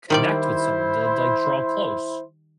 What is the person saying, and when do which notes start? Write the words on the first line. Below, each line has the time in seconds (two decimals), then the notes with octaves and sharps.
connect with someone, du like, draw close.
0.10 D#3 G3 E4 C5 D5